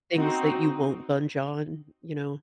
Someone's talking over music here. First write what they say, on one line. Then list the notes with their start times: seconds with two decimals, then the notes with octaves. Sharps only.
things that you won't budge on, you know?
0.13 C4 D#4 F#4